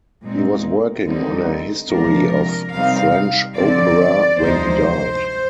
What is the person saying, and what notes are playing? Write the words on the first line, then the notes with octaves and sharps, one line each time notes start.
He was working on a history of French opera when he died.
A#2 G#3 C4 D#4
D3 G3 C4 D#4
C3 F3 G#3 D4 A#4
C3 G3 C4 D#4 F5
D3 F3 C4 D5
D2 C3 F3 G#3 D#4 C5